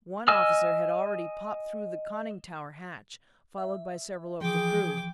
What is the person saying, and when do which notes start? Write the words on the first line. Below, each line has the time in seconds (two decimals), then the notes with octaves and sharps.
One officer had already popped through the conning-tower hatch, followed by several of the crew.
0.28 D#5 G#5 E6 F6
3.58 E5
4.41 E3 F3 G#4 G5 D6